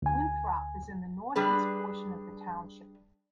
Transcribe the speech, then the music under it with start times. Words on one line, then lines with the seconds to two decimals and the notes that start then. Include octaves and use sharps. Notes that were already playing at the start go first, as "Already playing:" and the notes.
Winthrop is in the northeast portion of the township.
0.02 D2 G#5
1.36 G3 D4 G#4 B4